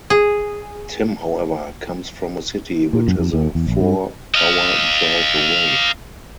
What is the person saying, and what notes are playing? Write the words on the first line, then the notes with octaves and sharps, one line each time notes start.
Tim, however, comes from a city which is a four-hour drive away.
G#4
A#2
F#2
F2
D#2
E2
A#1
G2
D#5 F5